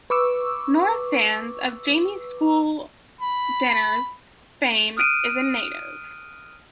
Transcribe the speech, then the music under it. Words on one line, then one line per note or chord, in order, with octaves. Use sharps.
Nora Sands, of "Jamie's School Dinners" fame, is a native.
B4 C#6 D6 E6
B5
D#6 F6 F#6 D7 D#7